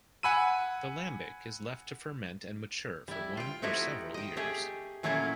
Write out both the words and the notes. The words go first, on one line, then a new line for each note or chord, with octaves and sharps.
The lambic is left to ferment and mature for one or several years.
F#5 G#5 B5 E6 D#7
G3 E4
F4 G5
F3 A3 D#4 E4 F#4 G4
D#5 G5
A3 G4 G#4
A#2 F#3 A3 A#3 C#4 E4